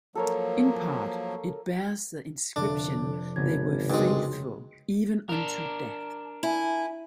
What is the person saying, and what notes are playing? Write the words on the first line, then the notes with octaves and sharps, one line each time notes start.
In part, it bears the inscription they were faithful even unto death.
F3 F#3 A#3 A4 A#4 C#5
F1 D3 D4 A4
G#1 C#3 B3 A#4 G#6
G2 G#3 D#4 F#4 G#4 C6
D4 A#4 A5
E4 G#5